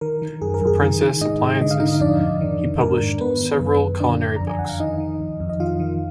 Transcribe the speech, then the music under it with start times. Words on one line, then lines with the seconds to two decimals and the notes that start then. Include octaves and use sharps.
For Princess Appliances he published several culinary books.
0.01 D#3 A#4
0.22 D#3
0.42 F#2 G#4
0.54 A#4
0.61 F#2
0.67 G#4
0.81 D#3
1.02 D#3
1.21 G#2 D#4 D#5
1.41 G#2
1.61 D3 D#5
1.71 F5
1.80 D3 D#4 D#5
2.01 F2 D4 D5
2.21 F2
2.41 D#3
2.61 D#3
2.81 G#2 A#4
3.01 G#2
3.21 D#3 B3 B4
3.41 D#3
3.61 F#2
3.80 F#2
4.00 D3 D4 D5
4.20 D3
4.36 F2 A#5
4.47 G#5
4.59 F2 F#5
4.69 F5
4.80 D#3 D#4 D#5
5.00 D#3
5.21 F2
5.40 F2
5.49 D#5
5.60 D#3 F4 F5
5.80 D#3